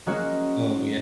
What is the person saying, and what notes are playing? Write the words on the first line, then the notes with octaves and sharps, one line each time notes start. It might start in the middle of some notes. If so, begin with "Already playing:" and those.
Oh, ye
F#3 G#3 A#3 C#4 F#4